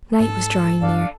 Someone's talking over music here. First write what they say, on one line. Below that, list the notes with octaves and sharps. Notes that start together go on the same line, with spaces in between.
Night was drawing near.
G#2 A4
G2 D4 D5 F5